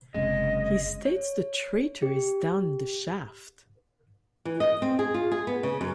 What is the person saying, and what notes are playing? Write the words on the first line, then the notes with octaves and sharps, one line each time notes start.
He states the traitor is down the shaft.
F#1 C3 G#3 D#5
C#5
G4
E3
D#5
C4
G#4
F4
G#4
B3
C#3
F#2